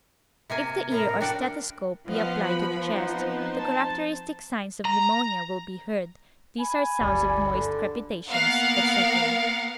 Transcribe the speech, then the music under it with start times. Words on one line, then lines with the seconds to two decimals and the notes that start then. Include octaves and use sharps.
If the ear or stethoscope be applied to the chest, the characteristic signs of pneumonia will be heard; these are sounds of moist crepitations, etc.
0.50 C3 A#3 G#5
0.92 A2 A#4 A#5
1.20 D4 F#4 G5
2.09 F3 B3 D#5 F5
2.44 B5
2.89 B3 C4 D#4 C5
3.58 A5
4.85 A#5
6.59 G#5 B5
7.01 G1 D2 G3
7.54 D3
8.30 A#3 B3 A#4 F5 F#5